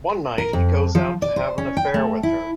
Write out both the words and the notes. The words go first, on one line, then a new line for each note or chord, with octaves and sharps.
One night, he goes out to have an affair with her.
A#4
F2
F3
D5
C5
C#4
G5
A3
E4